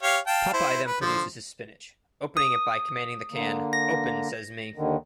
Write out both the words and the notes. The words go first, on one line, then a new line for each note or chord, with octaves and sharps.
Popeye then produces his spinach, opening it by commanding the can Open sez me!
G4 C#5 F5
F5 G5 A5
E4 C5
B4
D3 F3 C5
D#6
D3 A#3
A#6
D#2 D3 D#3